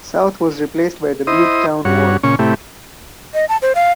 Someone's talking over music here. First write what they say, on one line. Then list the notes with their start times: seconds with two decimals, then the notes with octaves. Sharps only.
South was replaced by the Butetown ward.
1.27 E4 C5 D#5 D#6
1.85 G2 F#4 C#5
2.23 A#2 C#3 C#4 C#6
2.39 A2 C3 A3 E4 G4
3.34 D#5
3.49 A5
3.62 C5
3.75 F5